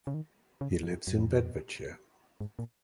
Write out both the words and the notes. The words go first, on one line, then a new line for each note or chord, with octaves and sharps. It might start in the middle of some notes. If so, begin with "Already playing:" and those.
He lives in Bedfordshire.
C#3
D#3
C#3
F2
F#2
F2
G#2
A#2